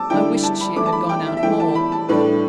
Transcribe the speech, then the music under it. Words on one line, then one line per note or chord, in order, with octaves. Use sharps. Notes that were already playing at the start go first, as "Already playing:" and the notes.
I wished she had gone out more.
Already playing: A5 D6 E6
D3 G3 E4 G5
A5
B5
E3 A3 E4 D6
A5
B5
G5
E5
E5
E3 A3 E4 G5
A5
B5
A5
A2 G3 D4 B4
A4